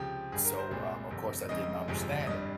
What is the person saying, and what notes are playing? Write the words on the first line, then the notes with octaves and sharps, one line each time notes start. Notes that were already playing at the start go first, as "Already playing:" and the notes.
So, um, of course I didn't understand it.
Already playing: C#2 C3 F3 G4
G1 G2 G3 G#4
A#4
C5
C2 A#2 G#3
G1 F2 C3
F1 F2 C#3 G#3 D#5
G1 F2 C3 F3 G#3
G#1 G2 G3 D#5